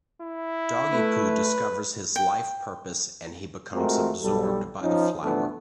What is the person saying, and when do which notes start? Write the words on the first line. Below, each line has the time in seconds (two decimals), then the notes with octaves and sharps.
Doggy Poo discovers his life purpose and he becomes absorbed by the flower.
0.21 E4
0.93 A3 B4
2.16 G5
3.74 G#3 A3 C4 F4 F#4 A#4
4.22 B1 G3 A4
4.82 F3 C#4 D#4
5.23 G2 E3 F3 A3 B3 D4